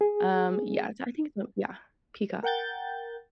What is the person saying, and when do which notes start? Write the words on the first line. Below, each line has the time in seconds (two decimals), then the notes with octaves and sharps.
um, yeah, I think so, yeah, Peacock,
0.01 G#4
2.43 A#4 F#5 G5 G6 A6